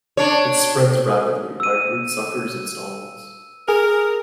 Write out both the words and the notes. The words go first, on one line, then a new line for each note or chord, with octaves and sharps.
It spreads rapidly by root suckers and stolons.
D4 C#5
E6 D#7
G#4 A#4